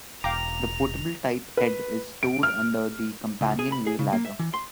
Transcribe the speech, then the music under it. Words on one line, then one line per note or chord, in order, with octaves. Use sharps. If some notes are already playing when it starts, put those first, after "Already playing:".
The portable type head is stowed under the companionway ladder.
E1 F5 G5 A#5 D6 F7
B4
D7
F6
C#2
G#4
B5
G#4
C#3
A#3
E5
E3
C6